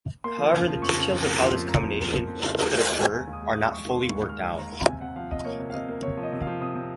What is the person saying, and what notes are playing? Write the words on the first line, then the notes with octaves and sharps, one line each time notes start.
However, the details of how this combination could occur are not fully worked out.
A#3 C6
F3
C#3
F3
F2 C#6
C#3
F2
A#3
F3 C6
F2
F2 A#5
F2
A#3
A#3
F2
C#3
D#2
G#3
D#2
D#2
D#2 G#5
D#2
D#6
G#3
D#6
G#3
G#3 C#6
D#3 C6
D#2
C#6
G#3
G#3 F6
D#2
D#2 A#5
D#2
C3 G#5
C3 F#5
F3 F5
C3 D#5
A#3 C#5
C3
F5
C3 D#5
A#3
C3 C#5
F3
D#5
C3
F5
F3
C3 D#6
C3